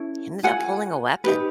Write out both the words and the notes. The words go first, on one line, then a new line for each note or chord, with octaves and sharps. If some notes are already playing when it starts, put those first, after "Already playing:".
he ended up pulling a weapon.
Already playing: C#4 E4 A4
F4 A4 F#5 G#5
D#4 G4 B4